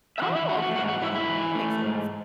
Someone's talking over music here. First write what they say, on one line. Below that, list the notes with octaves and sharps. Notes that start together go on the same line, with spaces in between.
Oh! Okay, okay. That makes sense.
E5
E3 F#4 F#5
E4 E5
A3 F#4 F#5
F#4 F#5
G#2 F#4 F#5
F#4 F#5
G#2 E4 E5
E4 E5
E3
A3
G#2